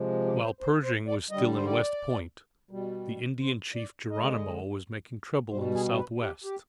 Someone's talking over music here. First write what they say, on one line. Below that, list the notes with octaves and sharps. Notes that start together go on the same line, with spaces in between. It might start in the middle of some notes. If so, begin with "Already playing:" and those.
While Pershing was still in West Point, the Indian chief Geronimo was making trouble in the Southwest.
Already playing: C3 F3 G#3
G4
C5
C5
C5
D5
D3 G3 D#5
C5
D5
B2 G3
C5
D5
D3 G#3 D#5
B2 G3 C5
G#4
B4
G4
G4